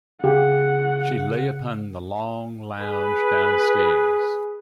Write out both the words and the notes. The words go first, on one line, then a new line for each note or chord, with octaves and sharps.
She lay upon the long lounge down-stairs.
C#3 G4 G#4 F5 F#5
G#4 B4